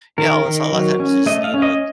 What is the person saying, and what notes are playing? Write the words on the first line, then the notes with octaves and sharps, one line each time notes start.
Yeah, so a lotta times just, you know,
D#3 A#4
D#3
F#3
C#4
A3 D#5
F5
C#4
D#5